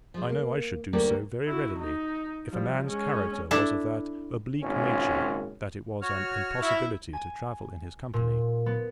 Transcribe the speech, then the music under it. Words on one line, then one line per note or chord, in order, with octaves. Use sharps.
I know I should do so very readily, if a man's character was of that oblique nature that it was an impossibility to travel in his company.
F3 G#3
A#3
D2 G3 A#3 C#4 A4 D5
E4 F#4
D#4
F3 G3
G#3 C#4
D4 E4 A4
G#1 C#2 A#2 C#4
F#4 C#5 F6
E4
G#5
A#2
B3